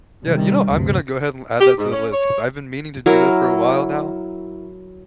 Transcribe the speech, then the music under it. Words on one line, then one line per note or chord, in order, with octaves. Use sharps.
Yeah. You know, I'm gonna go ahead and add that to the list 'cause I've been meaning to do that for a while now.
C3 D#3 G3
D2 G2 C3
G4
G#2
C#4
C#5
F#3 E4 A#4